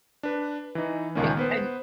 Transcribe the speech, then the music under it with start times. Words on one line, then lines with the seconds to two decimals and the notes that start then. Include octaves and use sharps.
Yeah, and
0.23 D4 B4
0.75 E3 D#4
1.15 C#2 A#2 D#3 A#3 C#4
1.37 B3 B4 C5